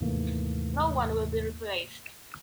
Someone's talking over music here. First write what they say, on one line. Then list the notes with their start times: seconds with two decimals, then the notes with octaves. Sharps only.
No one will be replaced.
0.01 D#2 G#2 C3 E3 A3 A#3